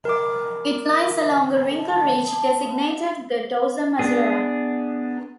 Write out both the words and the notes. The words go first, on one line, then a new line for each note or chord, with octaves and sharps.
It lies along a wrinkle ridge designated the Dorsum Azara.
A#4 D6
A5
B3 D4 G#4